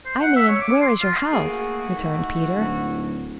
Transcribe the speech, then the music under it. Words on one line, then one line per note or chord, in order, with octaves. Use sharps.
"I mean, where is your house?" returned Peter.
C5
F#5
E5
C#5
D6
C6
F4
A3 A#3 E4 F#4 G#4
G#2
D1